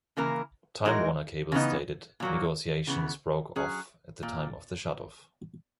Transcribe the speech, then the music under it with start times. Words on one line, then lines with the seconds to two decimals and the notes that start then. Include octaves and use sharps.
Time Warner Cable stated negotiations broke off at the time of the shutoff.
0.17 C#3 E3 A#3 E4 A#4
0.85 E3 G#3 D#4 F#4 A#4
1.52 C#3 E3 B3 D#4
2.20 A#2 F#3 A#3
2.87 C#3 E3 B3
3.56 F#3 C#4 G#4
4.23 A#2